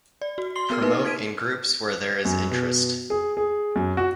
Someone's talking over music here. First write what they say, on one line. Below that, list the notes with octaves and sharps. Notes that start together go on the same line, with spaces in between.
Promote in groups where there is interest.
D5
F#4
C6 C7 G7
B3 A#4 F6
A#3 D#4 B4
D#4 G#6 B6 D7 D#7
F#2
B2
G#4
G#4
F#2
F#4